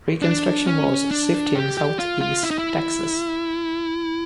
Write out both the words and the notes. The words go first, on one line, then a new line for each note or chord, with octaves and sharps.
Reconstruction was swift in southeast Texas.
D4
C#4
D4
G4
G4
F4
F4
E4
D#4
E4